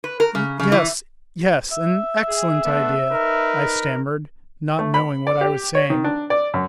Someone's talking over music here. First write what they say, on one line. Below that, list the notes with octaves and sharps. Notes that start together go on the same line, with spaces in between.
"Yes, yes, an excellent idea," I stammered, not knowing what I was saying.
B4
A#4
C#3
C#3
E3
E5
G#4
A3 B3 D4
D#4 A#4 B4
A3
B5
D5
G4
C#5
D#3
D4
D5
F#2